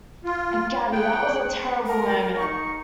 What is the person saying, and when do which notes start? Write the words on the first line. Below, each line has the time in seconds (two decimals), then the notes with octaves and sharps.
Gabby, that was a terrible moment.
0.25 F4
0.92 G#4 F#5 G5
1.86 A#4
2.39 D#4 C#6